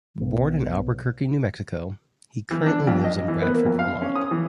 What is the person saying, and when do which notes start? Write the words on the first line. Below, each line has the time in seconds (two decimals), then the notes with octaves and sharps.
Born in Albuquerque, New Mexico, he currently lives in Bradford, Vermont.
0.20 B1
2.51 E3
2.66 D4
2.87 F2
3.04 D#5
3.28 E3
3.42 B3
3.54 A#3
3.66 F2
3.79 F5
4.02 C#4
4.15 D#6
4.31 E3